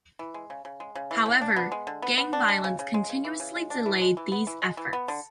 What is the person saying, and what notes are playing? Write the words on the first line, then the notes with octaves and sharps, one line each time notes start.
However, gang violence continuously delayed these efforts.
E3
G#3
C#3
C#3
G#3
C#3
E3
C#3
D4
B3
G#3
D3
B3
B3
D4
G#3
C#3
C#3
G#3
C#3
E3
C#3
G#3
D4
E3
G#3
E3
B3
E3
G#3
E3
B3
D3